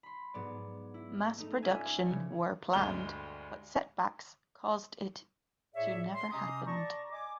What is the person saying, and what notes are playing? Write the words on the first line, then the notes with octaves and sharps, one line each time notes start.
Mass production were planned but setbacks caused it to never happened.
B5 C6
G#2 F#3 B3 D5
E4
A3 D#4
C#4 F4 D5 E5 G#5
C#3 E3 F3 C#5
D2 G2 G#3 F6 G7
A2 G#4 C#5 D5 E5
C6
C3 C#4 G4 D#5 A#5 D#6
D5 A5 A#5 C#6
D#5 G#5 D6